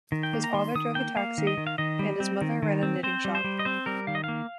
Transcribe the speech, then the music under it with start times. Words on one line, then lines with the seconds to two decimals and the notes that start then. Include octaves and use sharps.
His father drove a taxi, and his mother ran a knitting shop.
0.12 D#3
0.23 G5
0.33 A#3
0.44 A#5
0.54 D#3 C6
0.75 D#3 D#6
0.95 A#3 G5
1.16 A#3 F5
1.38 D#3
1.47 D#5
1.57 D#3
1.67 F5
1.78 D#3 D#5
1.99 G3
2.20 C4
2.41 D#3
2.63 D#3
2.83 C4
3.03 C4 C5
3.25 G3
3.35 C5
3.44 G3
3.59 D#5
3.65 C4 C5
3.86 G3 A#4
4.07 D#3 F5
4.15 D#5
4.24 A#3 F5